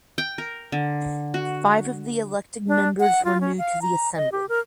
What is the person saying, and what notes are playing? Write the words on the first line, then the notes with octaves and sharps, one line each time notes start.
Five of the elected members were new to the Assembly.
G5
A#4
D3
F#4
D4
F#5
F4
C#4
F5
A#5
D#5
G4
A#4